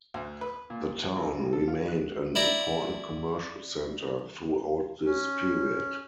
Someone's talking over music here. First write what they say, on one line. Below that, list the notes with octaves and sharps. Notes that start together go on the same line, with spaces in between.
The town remained an important commercial centre throughout this period.
D2
B4
A#2
F3
G#1
A4
F4
F#6
E4 D5 A#5
C#4